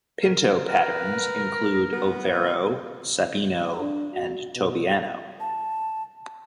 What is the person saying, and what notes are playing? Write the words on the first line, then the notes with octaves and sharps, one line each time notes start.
Pinto patterns include overo, sabino and tobiano.
A#4
A#4 B4
B3
D4
F#4
B2
A5